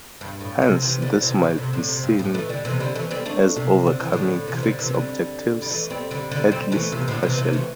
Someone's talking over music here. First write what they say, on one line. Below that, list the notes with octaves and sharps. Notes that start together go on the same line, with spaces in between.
Hence, this might be seen as overcoming Crick's objections, at least partially.
G2
A2
C3
C3 E3
D3 G3
C3 E3
A2 D3
C3
A2 D3
C3
G2
A2
E3 A3
D3 G3
C3 E3
D3 G3
E3 A3
G3 C4
A3 D4
C3
D3
E3
A2 D3
C3 E3
D3 G3
C3 E3
D3 G3
G3
E3 A3
G3 C4
D3 G3
D3 G3
G3 C4
E3 A3
C3 E3
A2 D3
C3 E3
C3 E3
E3 A3